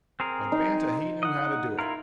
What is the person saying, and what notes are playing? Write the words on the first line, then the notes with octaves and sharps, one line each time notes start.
But Banta he knew how to do it.
C4 G#4 A#4
D#4
D#5 F#5
E4 F4 A#4